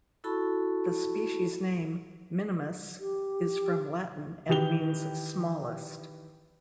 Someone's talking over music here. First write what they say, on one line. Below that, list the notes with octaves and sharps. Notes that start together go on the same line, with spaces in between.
The species name " minimus " is from Latin and means "smallest".
E4 F#4 A4 A5 B5 C#6
G4
D#3 E3 G4 F7 G7